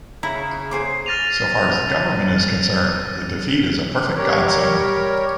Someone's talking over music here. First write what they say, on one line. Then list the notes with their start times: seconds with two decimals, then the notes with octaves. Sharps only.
So far as the government is concerned, the defeat is a perfect godsend.
0.23 C#3 E4 A#5
0.71 G#4 C5 D6
1.06 F6 A6 A#6 D#7 F7
4.16 G3 G4 A#4 C#5